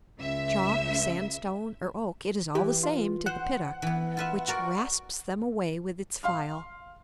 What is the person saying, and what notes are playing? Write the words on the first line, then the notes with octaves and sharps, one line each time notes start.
Chalk, sandstone, or oak, it is all the same to the Piddock, which rasps them away with its file.
C#2 E5
E3 G4
F4
C5 F#5
E3 B3
F4 B4 E5
F#4 A#4 D5
F5 C6 F6